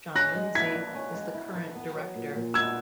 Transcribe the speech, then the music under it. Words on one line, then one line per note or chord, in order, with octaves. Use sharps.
Jon Lindsay is the current Director.
C#4 F#6 A#6
G#3
E4 G#6 B6
E3
C#4
G#3
E4
E3
B3
F#3
A#2
A#2
B3 E6 G#6